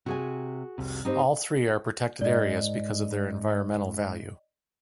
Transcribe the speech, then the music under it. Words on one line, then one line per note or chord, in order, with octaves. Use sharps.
All three are protected areas because of their environmental value.
C3 F#4 G#4 G#5
F1 C2 C3
G#2 C4 D#4 G4 C5
G#2 D5 D#5